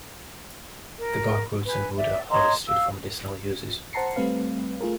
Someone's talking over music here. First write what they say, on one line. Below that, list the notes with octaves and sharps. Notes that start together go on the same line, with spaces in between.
The bark, roots and wood are harvested for medicinal uses.
A#4
B4 G#5
D5 E5
C#5 D#5 A#5 C6
F5 E6
C5 F#5 A5 A#5 C7 C#7
G3 A3 C4 B4 F5
A3 F4 G#4 A#4